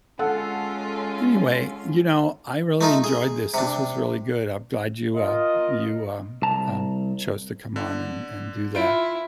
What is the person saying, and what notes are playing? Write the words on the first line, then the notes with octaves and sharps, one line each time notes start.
Anyway, you know, I really enjoyed this. This was really good. I'm glad you, uh, you, um, um, chose to come on and and do that.
G#3 C#4 F4 A4 F#5
A3 D#4 F4
G#4
C3 D4
F4 A#4 D#5
C2 A5 A#5
D3
E4 F4 D7